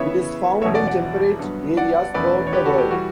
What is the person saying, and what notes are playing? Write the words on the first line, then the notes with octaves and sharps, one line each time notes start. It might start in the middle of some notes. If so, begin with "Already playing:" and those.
It is found in temperate areas throughout the world.
Already playing: C#3 E3 B3 C#5 E5
E2 B2 F#3 C#4 C#5 E5
D5 F#5
D5 F#5
G2 F#3 B3
D5 F#5
E2 B2 A3 C#4 B4 D5
C#5
G4 B4
F#4 A4
G4
E3 G3 F#4